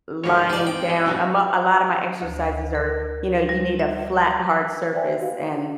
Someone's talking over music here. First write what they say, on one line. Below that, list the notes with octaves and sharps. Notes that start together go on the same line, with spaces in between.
lying down. A mo a lot of my exercises are, you know, you need a flat hard surface and,
D2 G#2 D3 D#3 F3 F#3 F4 C#5
C3 B3 C4 D#4 G#4 D5
C4 D5 G5
G4 D5 D#5
E2 G2 B2 F#3 C#4 D#4 G#5
D2
A#4
G3
E5
B4 C5 D5 E5 G5 G#5
F#4 G4 D#5 F5